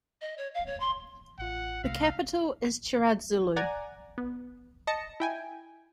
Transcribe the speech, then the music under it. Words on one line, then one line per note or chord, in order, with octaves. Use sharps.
The capital is Chiradzulu.
D#5
C#5
F5
C#5
C6
A1 F4 F#5
C2 A3 F5 E6 A#6 B6
D5 F#5 G#5 A#5
B3
D#5 A5 A#6 C#7
E4 G5 G#5